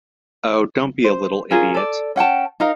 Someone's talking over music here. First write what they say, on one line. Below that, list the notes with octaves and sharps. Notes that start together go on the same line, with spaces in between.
Oh, don't be a little idiot!
C5
C#4 F4 G#4 A#4
A4 D5
C#4 F#5 G5 A5
D#4 A#4 F5